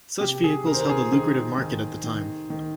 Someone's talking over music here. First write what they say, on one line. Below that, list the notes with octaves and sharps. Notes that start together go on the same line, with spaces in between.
Such vehicles held a lucrative market at the time.
C3 G4
G#4
D#3 A#4
C5
A#4
G#4
D#3 G#4
D#3
D#3
D#3